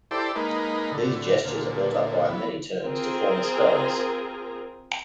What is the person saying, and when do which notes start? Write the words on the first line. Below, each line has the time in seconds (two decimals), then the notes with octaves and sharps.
These gestures are built up via many turns to form spells.
0.11 E4 G4 A4 C5 D5
0.35 G#3 A#3 D#4 B4
0.91 A2 D3
1.44 D2 A#2
2.29 E3 B3
2.82 C4 F4 G#4 A#4